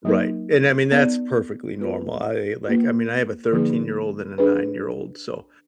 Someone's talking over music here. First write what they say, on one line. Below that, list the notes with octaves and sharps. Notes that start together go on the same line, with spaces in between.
Right, and, I mean, that's perfectly normal. I, like, I mean, I have a thirteen-year-old and a nine-year-old, so
F#3 A#3 D#4 A#4
B3 D#4 A#4 D5
G#3 B3 F4 B4
A#3 F4 B4
D3 F3 A#3 D#4 G#4
D4 G#4 B4